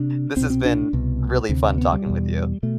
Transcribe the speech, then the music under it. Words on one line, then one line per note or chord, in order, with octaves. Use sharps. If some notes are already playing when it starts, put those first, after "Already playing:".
this has been really fun talking with you.
Already playing: C3 D4
C2 B2 C4
C4
D4
C2 B2
D2 C3
B3
G3
E2 B2
B2 A3